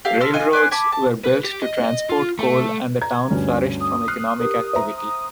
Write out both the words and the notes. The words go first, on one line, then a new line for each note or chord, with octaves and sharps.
Railroads were built to transport the coal and the town flourished from economic activity.
G4 A4 F5
A4 C6 F6
F4 D#5 G#5
B4 D5 G#5 C6
G#5 A5 B5 D6
A5
B4
G4
D#5
F4
A3
A#5 G#6
D2 G2 C#4
D#6
F6 F#6 C7
G4 A#4
C5 E5 A#5